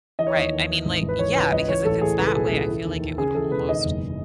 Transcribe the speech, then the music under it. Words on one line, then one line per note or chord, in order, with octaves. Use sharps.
Right, I mean, like eh, yeah, because if it's that way, I feel like it would almost
E3 D#5
C#5
D#2 D#5
D#2
E3
G#1
G#1
B4
E3 C#5
C#2 B4
C#2 D#5
E3 C#5
A1 A4
A1 G#4
C#2 B4
A4
B2 G#4
A4
C#2
E3
D#2
D#2
C#3 G#4
E3 A4
E1 B4
D#3 D#5
F#1